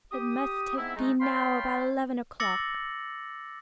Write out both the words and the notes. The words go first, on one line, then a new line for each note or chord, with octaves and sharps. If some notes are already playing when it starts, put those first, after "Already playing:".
It must have been now about eleven o'clock.
G4 D#6
G#2 B3 C4 E4
G#3 A3 D#4
C#5 F5 G5 A5 B5 C6
D6 E6 A6 A#6 C#7 F#7